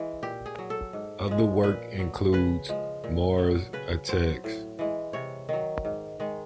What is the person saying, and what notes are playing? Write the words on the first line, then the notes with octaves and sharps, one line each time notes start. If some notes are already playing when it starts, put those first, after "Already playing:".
Other work includes: Mars Attacks!
Already playing: E3 G#3
A#2 G4
G#4
F#3
A4
G#2
F3 G#3
A#2 B4
F#3
C#3 B4
F3 G#3
A#2
F#3
C#3 B4
F#3 C5
A2
E3 G#3
C3 C#5
D#3 F#3
G#2
D#3 G#3